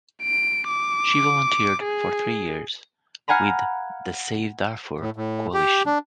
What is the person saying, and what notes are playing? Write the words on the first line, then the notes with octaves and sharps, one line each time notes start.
She volunteered for three years with the Save Darfur Coalition.
D7
D6
G#4
F5 F#5 G#5 A#5 B5
A2
A2
G4
D4